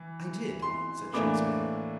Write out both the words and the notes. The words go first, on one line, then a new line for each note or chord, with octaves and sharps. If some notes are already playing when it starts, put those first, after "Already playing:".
"I did," said Shakespeare.
Already playing: E3
C6
A2 E3 A#3 D4 D6